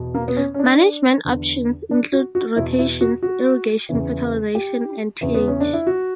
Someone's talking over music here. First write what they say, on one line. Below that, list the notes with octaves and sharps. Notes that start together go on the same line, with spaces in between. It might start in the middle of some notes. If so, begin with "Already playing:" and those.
Management options include rotations, irrigation, fertilization and tillage.
Already playing: E2 B2
A#3
B3
C#4
C#4
D4
E2 D3
D4
F#4
F#4
E2 B2 E4
E4
F#4
F#4
E2 C#3 E3
G4
E2 C#3 E3
B3
C#4
D4
E4
F#4